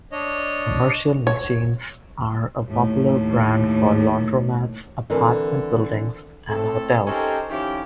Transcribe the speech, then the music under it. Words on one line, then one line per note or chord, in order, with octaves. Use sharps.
Its commercial machines are a popular brand for laundromats, apartment buildings, and hotels.
D4 C#5 D#5
C#5
D#2 A2
D3 E3 C4 A#4 B4
A2 A3 C4 A4
C#4 D#4 G4 A4 A#4 C5
D#3 F3 C#4 E4 G4